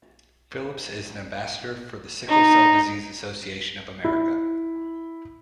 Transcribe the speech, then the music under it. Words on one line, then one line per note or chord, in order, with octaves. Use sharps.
Phillips is an ambassador for the Sickle Cell Disease Association of America.
D#4
E4